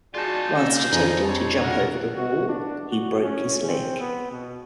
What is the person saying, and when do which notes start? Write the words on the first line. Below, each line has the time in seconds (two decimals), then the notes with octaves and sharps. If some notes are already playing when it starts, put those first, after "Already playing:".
Whilst attempting to jump over the wall, he broke his leg.
0.14 D#4 F4 F#4 G#4 D5 A5
0.58 A#3 C4 C#4 E6
0.92 F2 G#4 C5 G#5 A#5
1.25 C4 D4 C#5 G5 A5
1.61 B2 A4 A#4 F#5 A#5
2.16 F#4
2.49 D4
2.89 F#4
3.22 C#4
3.67 C4
4.00 B3
4.32 B2